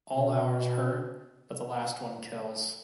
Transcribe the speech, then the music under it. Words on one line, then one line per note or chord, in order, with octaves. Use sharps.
All hours hurt, but the last one kills.
B2